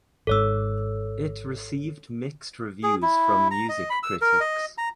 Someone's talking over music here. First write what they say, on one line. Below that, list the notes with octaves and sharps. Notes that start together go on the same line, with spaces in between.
It received mixed reviews from music critics.
G#1 G#2 A4 C#5 E6
G#4
E4
A#5
D#5
B5
E6
A#4
D#5
A#5